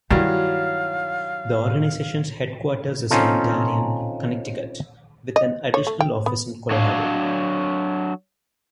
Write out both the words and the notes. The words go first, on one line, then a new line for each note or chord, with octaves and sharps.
The organization's headquarters is in Darien, Connecticut, with an additional office in Colorado.
G2 D#3 F#3 E4 F5
C4 C#4 D#4 F4 A4
D#5
C#5
A3
G5
B3
F#3 D4 C#5 F5